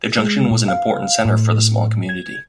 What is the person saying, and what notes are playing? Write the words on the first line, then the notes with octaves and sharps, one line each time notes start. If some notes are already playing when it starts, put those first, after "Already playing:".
The junction was an important centre for the small community.
G#3
A#2
F5
A2
G#6